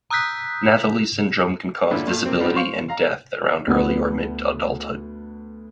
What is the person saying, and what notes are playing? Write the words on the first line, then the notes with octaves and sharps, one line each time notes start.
Nathalie syndrome can cause disability and death around early or mid adulthood.
A#5 D#6 E6 F#6 G6 B6
A#2 D3 G3 C#4 D4 E4
G2 A#2 A3
F3 A#3 C4
F3 G3 B3 C4 D#4
C5 F5 C#6
F5 A#5
D2 B3